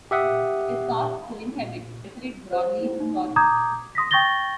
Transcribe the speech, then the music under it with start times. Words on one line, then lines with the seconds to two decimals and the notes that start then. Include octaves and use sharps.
It is thought to inhabit temperate broadleaf forests.
0.11 G4 E5 F#5 D#6
2.53 C5
3.00 D#4
3.36 A#5 D6 D#6 G6 G#6
3.95 C6 D#6 A#6 B6
4.11 G5 C#6 G6 A6 A#6 G7